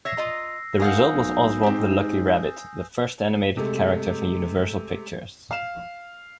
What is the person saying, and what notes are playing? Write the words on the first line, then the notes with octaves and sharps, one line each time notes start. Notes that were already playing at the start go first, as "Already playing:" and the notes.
The result was Oswald the Lucky Rabbit, the first animated character for Universal Pictures.
C#5 E5 E6 A#6 C7
F4 D#5 A#5
G#2 A#4 F5 F#5 G#5 D#6 G6
B1
G#2 C4 G4
C3 G#3 A3
F5 E7